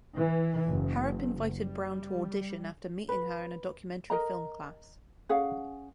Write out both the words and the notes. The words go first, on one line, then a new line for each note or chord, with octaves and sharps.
Harrop invited Brown to audition after meeting her in a documentary film class.
E3
F#1
G3
B4
A#4 D#5 A#5
C#4 G#4 F5 F#5